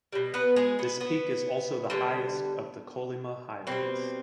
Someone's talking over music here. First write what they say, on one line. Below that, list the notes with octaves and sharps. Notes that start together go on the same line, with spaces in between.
This peak is also the highest of the Kolyma Highlands.
B2 G3
B3 B4
G#3 G#4
B3
B3
D3 G3
B2 G3 C4